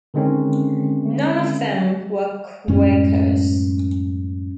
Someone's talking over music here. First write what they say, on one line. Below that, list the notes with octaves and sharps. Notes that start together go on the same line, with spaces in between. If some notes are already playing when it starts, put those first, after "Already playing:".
None of them were Quakers.
D3 D#3 G#3 C4 C#4
F#2 A2 G#3 C#4